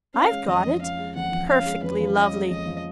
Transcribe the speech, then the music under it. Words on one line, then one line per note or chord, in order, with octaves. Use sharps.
'I've got it! perfectly lovely!
C#4 F5
G#3
F2 D#5
F3
C#4 F5
G#3
F2 F#5
F3
C#4 F5
G#3
F2 B4
F3
C#4 D#5
G#3
F2 D#5
F3